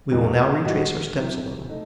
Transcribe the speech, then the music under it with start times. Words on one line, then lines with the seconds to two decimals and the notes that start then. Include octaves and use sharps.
We will now retrace our steps a little.
0.12 E1 E2 B2
0.64 A2 G3 D#4 F#4
1.17 C3 F#3 C4 E4
1.69 A3 D#4